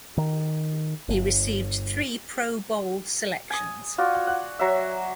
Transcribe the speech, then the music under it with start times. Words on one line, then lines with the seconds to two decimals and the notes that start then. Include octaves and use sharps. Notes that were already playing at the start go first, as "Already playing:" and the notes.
He received three Pro Bowl selections.
0.18 D#3
1.08 G1
3.50 G#5 D#6
3.98 F4 F#4 D5
4.27 F#5
4.59 F#3 E5